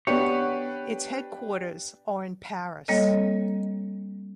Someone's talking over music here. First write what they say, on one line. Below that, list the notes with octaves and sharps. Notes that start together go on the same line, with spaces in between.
Its headquarters are in Paris.
B3 D4 G4 B4 C#5 B5
G3 A#3 C4 A4 C#5 D#5